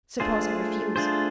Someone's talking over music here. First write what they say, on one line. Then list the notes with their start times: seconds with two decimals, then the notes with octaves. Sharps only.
"Suppose I refuse?"
0.20 A3 D4 F4 G#4 C5
0.96 A3 D4 F4 G#4 C5